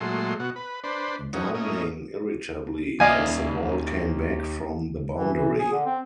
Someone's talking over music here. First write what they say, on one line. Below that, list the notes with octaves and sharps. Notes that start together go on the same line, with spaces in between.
Downing irritably, as the ball came back from the boundary.
A#2 F#3 G#3 A3 C6
B2 F#4
B4
D4 B4 C5
F#3 C#4 D#4
A2 A#3 C#4 D#5
D#2 D5 D#5 F5 G#5
E3
E3
G#4
D3
C4